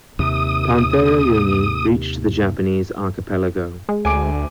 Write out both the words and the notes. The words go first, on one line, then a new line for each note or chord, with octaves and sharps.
"Panthera youngi" reached to the Japanese Archipelago.
D#2 C3 D#6
G#3
D2 G#5 D6 D7